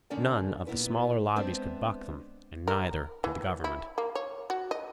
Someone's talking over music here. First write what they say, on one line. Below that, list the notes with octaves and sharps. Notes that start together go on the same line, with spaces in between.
None of the smaller lobbies could buck them, and neither could the government.
D3 D#3 C#4 D4 D5 F#5
A#2 B3 E4 B4
G#3 B3 C4 D4 C5 E5
A#4
E3
E4
A#3
C#5
F#4
D#5